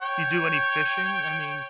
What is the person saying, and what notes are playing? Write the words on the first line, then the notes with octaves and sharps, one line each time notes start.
you do any fishing? I mean
C#5 G5